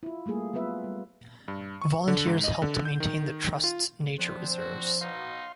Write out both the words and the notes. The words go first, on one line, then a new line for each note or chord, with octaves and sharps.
Volunteers help to maintain the Trust's nature reserves.
E4 F4
G3 A3 A#3 G#4
F#3 B3 F4 B4 E5
G3
G2
C#6
D3
G#2
D#5
D3
G6
D#3
F4
F3 B3 C4 D4 C5
F#4
B2 F#3 D#4 F5 C6